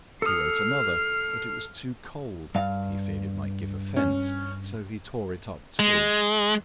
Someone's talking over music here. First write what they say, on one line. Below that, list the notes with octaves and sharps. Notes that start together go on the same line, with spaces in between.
He wrote another, but it was too cold; he feared it might give offence, so he tore it up, too.
A4 D#6 F6 C7
G2 F5
C#4
G#3